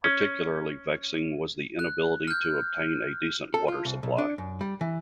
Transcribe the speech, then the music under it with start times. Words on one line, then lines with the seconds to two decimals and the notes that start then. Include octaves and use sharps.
Particularly vexing was the inability to obtain a decent water supply.
0.04 C#4
1.79 F#6
2.28 F6 G6
3.54 A4
3.68 F4
3.85 C2
4.03 B1
4.18 D4
4.38 F#2
4.61 G3
4.81 E3